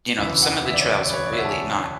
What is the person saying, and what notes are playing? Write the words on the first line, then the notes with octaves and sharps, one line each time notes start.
you know, some of the trails are really not,
E1 D2 C#3 E3 E5
F#5
E5
D5
C#5
D5
B4
C#5
D5
E5
F#5
A5
G#5